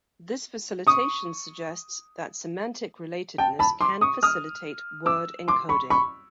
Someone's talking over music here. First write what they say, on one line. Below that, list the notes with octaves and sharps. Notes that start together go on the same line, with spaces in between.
This facilitation suggests that semantic relatedness can facilitate word encoding.
C#6 D#6
G5 A5
A5 B5
C6 D6
C#6 D#6
D#6 F6
D6 E6
C6 D6
B5 C#6
B5 C#6